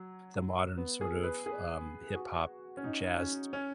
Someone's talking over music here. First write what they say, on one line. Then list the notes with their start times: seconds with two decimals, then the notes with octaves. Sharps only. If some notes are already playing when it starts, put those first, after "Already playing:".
the modern sort of, um, hip hop jazz
Already playing: F#3
0.77 B3
1.01 G#4
1.23 B4
1.46 G#4
2.15 F#4
2.77 C#4
2.84 D#4
3.18 C#4
3.53 C#4